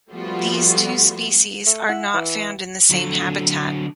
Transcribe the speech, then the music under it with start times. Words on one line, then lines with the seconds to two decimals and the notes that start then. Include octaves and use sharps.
These two species are not found in the same habitat.
0.11 F3 G3 A3 B3 F4 F#4
1.67 A3
1.89 E4 F#5
2.14 E3
2.90 D3 F#3